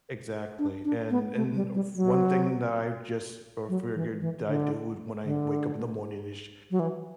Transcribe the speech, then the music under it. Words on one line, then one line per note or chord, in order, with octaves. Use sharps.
Exactly, and and f one thing that I just o figured I do when I wake up in the morning is
D4
D4
B3
A3
G3
G3
F#3
F#3
E3
E3
D3
D3
F#3
E3